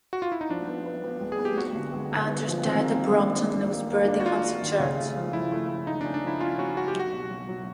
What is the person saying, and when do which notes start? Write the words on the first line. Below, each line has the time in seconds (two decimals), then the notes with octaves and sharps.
Andrews died at Brompton and was buried in Hampstead Church.
0.13 F#4
0.22 F4
0.32 E4
0.41 D#4
0.49 F3 D4
0.68 B3
0.86 B3
1.04 B3
1.21 G#3
1.32 G#4
1.39 B3
1.45 G4
1.58 B3 F#4
1.75 D3
1.94 G#3
2.12 D3
2.30 B3
2.48 F3
2.64 D#3 C4
2.83 A#3
3.01 G3
3.19 D4
3.37 D4
3.55 D4
3.72 A#3
3.90 A#3
4.08 D4
4.20 F#4
4.26 A#3 F4
4.44 D4
4.62 D#3
4.80 C#3
4.98 A3
5.16 F3
5.33 F3 E4
5.52 A3
5.69 A3
5.87 A3 D#4
6.01 C#4 D4
6.14 D4
6.23 F3 E4
6.40 C#4 F4
6.58 C#4 F#4
6.76 C#4 F#4
6.88 G4
6.94 F#3
7.00 F#4
7.13 B2
7.30 F#3
7.48 F#3